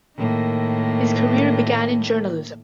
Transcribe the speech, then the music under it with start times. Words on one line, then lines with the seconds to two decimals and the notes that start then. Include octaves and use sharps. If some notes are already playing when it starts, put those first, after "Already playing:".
His career began in journalism.
0.18 A2 D#3 A#3